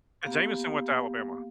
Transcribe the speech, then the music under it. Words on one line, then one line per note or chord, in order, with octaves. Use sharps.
And Jameson went to Alabama.
A#3 B3 G4 F5